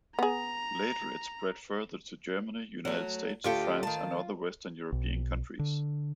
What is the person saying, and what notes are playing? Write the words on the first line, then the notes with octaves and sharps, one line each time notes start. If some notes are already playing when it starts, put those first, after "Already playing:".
Later it spread further to Germany, United States, France and other Western European countries.
B3 G#4 A#5
F#3 A3
D2 F4 G4 A4
D#3 A5
B1
D3